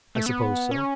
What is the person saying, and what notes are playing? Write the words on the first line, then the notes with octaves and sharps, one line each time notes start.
"I suppose so."
A3
B3
C#4